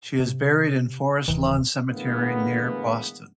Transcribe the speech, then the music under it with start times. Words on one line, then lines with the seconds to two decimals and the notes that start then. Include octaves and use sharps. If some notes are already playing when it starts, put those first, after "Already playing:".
She is buried in Forest Lawn Cemetery near Boston.
0.20 C3
1.28 D#1 C3 D#3 E3
1.91 A2 D3 E3 G#3 A#3 B3